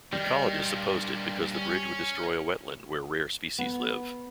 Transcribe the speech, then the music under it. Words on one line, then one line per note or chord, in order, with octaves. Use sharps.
Ecologists opposed it because the bridge would destroy a wetland where rare species live.
D#3 G3
G2 A#2
C#4
B3